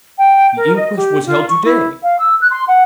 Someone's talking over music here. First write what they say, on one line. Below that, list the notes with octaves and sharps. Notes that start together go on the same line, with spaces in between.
The inquest was held to-day.
G5
A#4
D#5
G4
F4
C#6
E4
F5
E6
F#6
C6
F#5